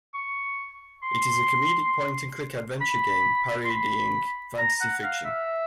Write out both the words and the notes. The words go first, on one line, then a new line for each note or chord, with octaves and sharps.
It is a comedic point and click adventure game parodying fantasy fiction.
C#6
C6
B5
C6
B5
A#5
F#5
F5
E5